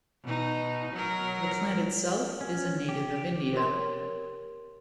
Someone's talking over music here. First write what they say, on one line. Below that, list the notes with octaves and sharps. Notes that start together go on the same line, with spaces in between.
The plant itself, is a native of India.
B2 D#4
F#3 A#4
C#4
G4
G4 A#4 C#5 C6